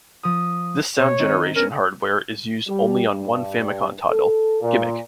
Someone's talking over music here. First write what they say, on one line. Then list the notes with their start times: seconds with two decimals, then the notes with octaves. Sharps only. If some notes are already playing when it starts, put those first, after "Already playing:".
This sound generation hardware is used on only one Famicom title: "Gimmick!".
0.23 F3 D#6
1.00 B2 C#5
1.19 D#3 C4 D#4
1.56 B3 C#4 A#4
2.68 G3
3.09 G2
4.10 A4
4.62 A#2